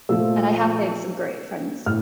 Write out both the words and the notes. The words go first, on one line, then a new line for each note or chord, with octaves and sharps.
And I have made some great friends.
A#2 F3 A3 E6
A2 F6